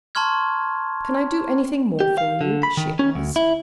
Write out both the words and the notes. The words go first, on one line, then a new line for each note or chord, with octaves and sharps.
"Can I do anything more for you?" she asked.
A5 A#5 C6 C#6 F6 G#6
G4
F5
D3
B5
D#3
C#4
D2
E4